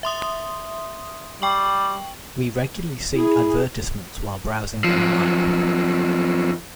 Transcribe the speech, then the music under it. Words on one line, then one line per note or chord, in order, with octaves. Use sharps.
We regularly see advertisements while browsing online.
E5 C6 D#6
G3 G5 C#6 F#7
E4 G#4
F#2 F3